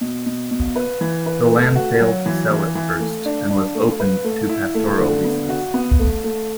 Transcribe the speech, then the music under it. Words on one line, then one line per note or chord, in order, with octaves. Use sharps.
The land failed to sell at first and was opened to pastoral leases.
B2
B2
B2
B4
E3
B4
A3
F#4
F#3
E3
E3
E3
A3
D4
D4
A3
B4
A3
E4
A3
D3
B3
F#4
B3
A3
A3